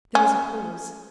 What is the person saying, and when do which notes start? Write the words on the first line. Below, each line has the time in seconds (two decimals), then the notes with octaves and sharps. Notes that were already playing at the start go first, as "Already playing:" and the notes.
There was a pause.
0.15 C#4